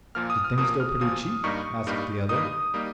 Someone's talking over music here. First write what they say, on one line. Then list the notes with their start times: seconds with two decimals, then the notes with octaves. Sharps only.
'Did things go pretty cheap?' asked the other.
0.15 A#2 F3 A#3 F6
0.30 D#6
0.44 F6
0.57 A#2 F3 A#3 D#6
0.80 F6
1.01 A#2 F3 A#3 D#6
1.44 G2 G3 A#3 D#4 C#6
1.87 G2 G3 A#3 D#4
2.29 G2 G3 A#3 D#4 D#6
2.74 G3 A#3 D#4